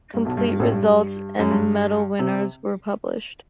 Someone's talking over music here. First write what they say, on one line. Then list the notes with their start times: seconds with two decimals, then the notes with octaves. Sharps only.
Complete results and medal winners were published.
0.14 G2
0.25 B1 B2
0.37 G2
0.49 G2
0.59 A1 A2
0.72 G2
0.82 G2
1.39 F#2
1.51 G2
2.19 C3